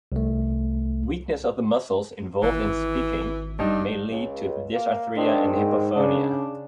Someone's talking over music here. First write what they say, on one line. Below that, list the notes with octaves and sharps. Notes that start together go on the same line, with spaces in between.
Weakness of the muscles involved in speaking may lead to dysarthria and hypophonia.
C2 A3
G#1 E3
G2 D4 D#4
C#2
A#3
D#3 G#3 C4 D4
G#2
C#3 D4